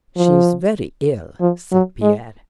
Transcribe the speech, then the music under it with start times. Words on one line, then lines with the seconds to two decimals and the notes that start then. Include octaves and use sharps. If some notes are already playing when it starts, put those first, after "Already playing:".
"She is very ill," said Pierre.
0.17 F3
1.41 F3
1.72 F#3
2.02 G#3